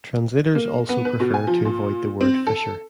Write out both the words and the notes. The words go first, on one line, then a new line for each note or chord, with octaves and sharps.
Translators also prefer to avoid the word fisher.
A#3
B3
B4
B2
G#5
F3
A#2
C4
A4